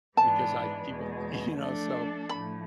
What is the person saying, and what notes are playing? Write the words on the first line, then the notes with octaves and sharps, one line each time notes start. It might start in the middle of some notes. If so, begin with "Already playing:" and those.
because I keep e you know, so,
G#2 E3 G#3 B3 D4 A5
E2 B2 G#3
F3 A3 D4 A4
A2 F3 A3 B5